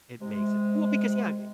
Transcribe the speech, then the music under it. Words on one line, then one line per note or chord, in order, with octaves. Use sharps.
it makes it well, because, yeah it
C3 G#3